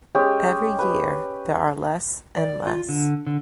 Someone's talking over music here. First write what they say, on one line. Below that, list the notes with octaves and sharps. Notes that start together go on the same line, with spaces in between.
Every year there are less and less.
G#3 C#4 G4
G4 B4
D5
F4
D3
D3